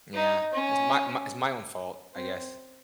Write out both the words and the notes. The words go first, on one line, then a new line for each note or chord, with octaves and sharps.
Yeah, it's my my it's my own fault, I guess.
D#4
C#4
C4